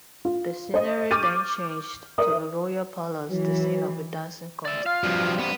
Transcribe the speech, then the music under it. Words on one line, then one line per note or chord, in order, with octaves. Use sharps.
The scenery then changed to a royal palace, the scene of a dancing contest.
F4
C5 D#5
C#6 D6 F6 G6 A6 D#7
A#4 D5 E5 D#6
E3 F#3
D5 E5
F4 F5
G2 C3 F3 F#3
B3